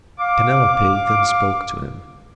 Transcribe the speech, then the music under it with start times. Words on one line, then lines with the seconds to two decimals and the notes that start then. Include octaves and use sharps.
Penelope then spoke to him.
0.19 F5 D6